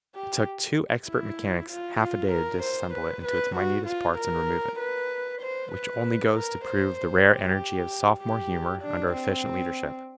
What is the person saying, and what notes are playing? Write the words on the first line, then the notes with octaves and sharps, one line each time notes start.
It took two expert mechanics half a day to dissemble it into its minutest parts and remove it, which only goes to prove the rare energy of sophomore humor under efficient leadership.
G4
E4
F4
F4
A#4
C5
B4
B4
F#4
F4
A#4
B4
C5
B4
A#4
C5
G4
G4
D4
C4